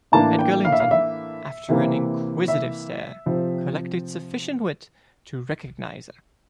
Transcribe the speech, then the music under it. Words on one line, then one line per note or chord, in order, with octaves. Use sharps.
Edgar Linton, after an inquisitive stare, collected sufficient wit to recognise her.
A2 E3 A#3 D4 A5
G5
F5
E5
F5
E5
C3 E3 A#3
E5
C3 F3 C4